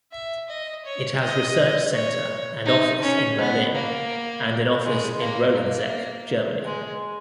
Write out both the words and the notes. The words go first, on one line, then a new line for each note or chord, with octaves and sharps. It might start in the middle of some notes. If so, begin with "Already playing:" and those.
It has research centre and office in Berlin, and an office in Rolandseck, Germany.
E5
D#5
C#5
D#5
C#5
D#4
C#4
B3
A#3
G#3
A#3
A#3
G#3